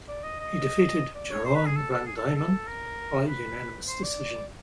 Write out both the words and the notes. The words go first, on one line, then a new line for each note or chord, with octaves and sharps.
He defeated Jeroen van Diemen by unanimous decision.
D5
D#5
D#5
D5
C#5
C5
B4
G#4
A4
A4
G#4
A4
A4
A4
A#4
B4
C5
D5